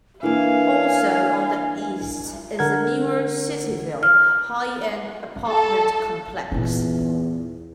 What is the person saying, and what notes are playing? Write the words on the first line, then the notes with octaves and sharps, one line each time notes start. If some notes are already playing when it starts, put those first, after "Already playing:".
Also on the east is the newer Cityville high-end apartment complex.
E3 A#3 D4 E4 A#4 F5 G#5
D3 A#4 F#5 G#6
F6
A4
E2 A#2 D#4